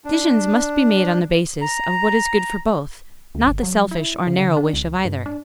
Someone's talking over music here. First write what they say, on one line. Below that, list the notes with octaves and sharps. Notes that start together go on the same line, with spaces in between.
Decisions must be made on the basis of what is good for both, not the selfish or narrow wish of either.
D4
A#5
D2
G1
F#3
E4
C#3
D3
D4
C#2
G2
D4